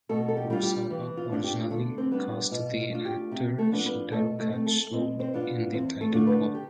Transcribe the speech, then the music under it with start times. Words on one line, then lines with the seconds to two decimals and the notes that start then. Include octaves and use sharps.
Kurosawa originally cast the actor Shintaro Katsu in the title role.
0.09 B2 A3 A4
0.28 A4
0.37 G4
0.50 G3 D4 F4
0.63 G4
0.90 E3 G4
1.17 F4
1.30 A3 D4 F4
1.44 G4
1.70 D3 A3 A4
1.98 C4 C5
2.11 G3 B3 D4
2.51 B2 F4
2.77 F4
2.91 A3 D4 F4
3.05 G4
3.31 C3 G4
3.58 A3 A4
3.72 F3 B3 D4 F4
3.85 B3 B4
4.12 B2 A3 A4
4.39 A3 A4
4.52 A3 C4
4.66 A3 A4
4.93 B2 C4 C5
5.19 C4 C5
5.34 B3 D4 F4
5.73 E2 C4 C5
6.01 A3 A4
6.13 D3 A3 D4 F4
6.27 B3 B4
6.54 G4